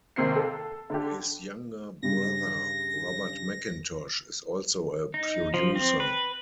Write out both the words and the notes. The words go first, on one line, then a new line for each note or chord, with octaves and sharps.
His younger brother, Robert Mackintosh, is also a producer.
G#1 D#2 C3 C4 A#4 C7
A4
D3 D4 G4
G2 C#3 G3 A#6
D#4
F3
C4
B4